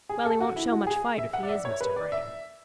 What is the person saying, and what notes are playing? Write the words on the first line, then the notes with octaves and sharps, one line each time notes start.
"Well, he won't show much fight if he is Mr. Vrain."
G#4
A4
F#4
E4
F#4
G#4
E5
F#5
D5
E5
C#5
B4
D5
E5